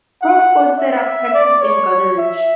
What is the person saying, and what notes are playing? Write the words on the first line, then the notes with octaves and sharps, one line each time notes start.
Proudfoot set up practice in Goderich.
F#5
E5
D5
C#5
E5